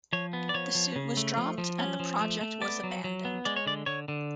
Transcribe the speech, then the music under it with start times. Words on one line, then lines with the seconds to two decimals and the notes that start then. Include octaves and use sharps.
The suit was dropped and the project was abandoned.
0.13 F3 C#5
0.33 B3
0.49 D5
0.54 F3 C#5
0.75 F3
0.96 C#3
1.17 A3
1.37 F3
1.58 F3
1.80 C#4
2.00 F3
2.21 A3
2.41 A3
2.62 B3 D5
2.84 F#3
3.04 F#3
3.25 B3
3.45 G#3 D5
3.56 C#5
3.66 D3 D5
3.86 D3 C#5
4.08 D3